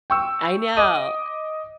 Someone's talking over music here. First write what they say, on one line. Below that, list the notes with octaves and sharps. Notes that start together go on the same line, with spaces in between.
I know
G5 C#6 E6
D#5 D6 D#6 D#7